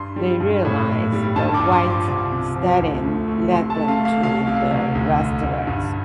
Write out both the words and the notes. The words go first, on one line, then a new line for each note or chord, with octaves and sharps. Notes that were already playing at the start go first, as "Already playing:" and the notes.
They realize the white stallion led them to the rustlers.
Already playing: G2 C6
G3
G2
A2
A2
G3
G2 A5
D6
G2
C6
F3
D6
C2
C3
F3
D2
A3
A3
C3 C6
A5
A3
F5
A3
F5
C2 F5
C3
C2
D2
D2
D2
G2